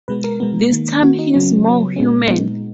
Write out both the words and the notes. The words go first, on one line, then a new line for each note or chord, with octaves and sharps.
This time he's more human.
B2 G#3 B3 B4
A#4
B2 G#3 B3
D#3 A#3
D#3 A#3 F#4
D#4
C#3 F#3 B3 C#4
C#3 F#3 B3
A#2 G#3 B3 C#4
A#2 G#3 B3 D#4